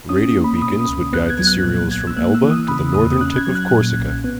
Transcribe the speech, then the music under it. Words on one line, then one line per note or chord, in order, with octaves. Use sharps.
Radio beacons would guide the serials from Elba to the northern tip of Corsica.
C#4 D#6
A#3
B5
B2 D#6
C#2
B3 F#6
G#6
F#3
F#6
A#2 F#6
A#1 G#6
E6
A#3 F#6
E6
E3
D#6
C#3 B5
E2 D#6
C#4 F#6
G#6
F#3
F#6
A#2
B1
B3